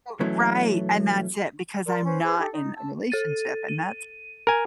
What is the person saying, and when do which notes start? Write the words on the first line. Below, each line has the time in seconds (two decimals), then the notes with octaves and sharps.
oh right, and that's it because I'm not in a relationship, and that's
0.20 B2 E3 F#3 A3 C#4
1.86 A#4 D5 C6
2.06 C#4 B4 C5
2.23 G#4 B4 C5 E6
2.38 D#4 G4 A4
2.51 D#4
2.73 A5 E6
3.10 A4 A6 D#7
3.68 D#7
4.47 A#4 G#5